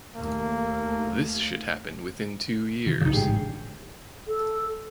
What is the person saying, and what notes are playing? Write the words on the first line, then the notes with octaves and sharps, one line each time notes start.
This should happen within two years.
D#2 A3 A#3
C3 D#3 E3
C2 G2 C#3 F3 D#4
A1 G#2 D3 G4 G#4 G5
A4